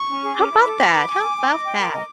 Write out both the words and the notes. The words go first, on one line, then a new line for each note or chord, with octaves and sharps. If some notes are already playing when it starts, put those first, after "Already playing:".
How 'bout that? How 'bout that?
Already playing: C#6
C#4
G#4
C#4 D6
E4
A4
C5
B4
G#5
G#5
G#5
D#5
G5
A#4
D#5